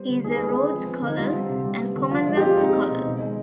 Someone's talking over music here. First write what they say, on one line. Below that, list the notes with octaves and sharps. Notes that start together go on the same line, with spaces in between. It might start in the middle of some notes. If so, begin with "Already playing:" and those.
He is a Rhodes Scholar and Commonwealth Scholar.
Already playing: G3 B3 C5
D3
D#3 G#4
G#3 B4
G#4
C4
F3
B3
D3 D#4
G3 F4
C4
C3
G3
B3
D3
F3 F4
G#3 F4
G4
C4 F4
G#3 D#4
C4
B2
D#3
G#3